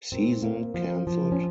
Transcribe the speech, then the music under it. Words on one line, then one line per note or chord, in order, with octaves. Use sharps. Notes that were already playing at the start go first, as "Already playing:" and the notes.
Season canceled.
A#2 C4
A#3
F3
F3
C#4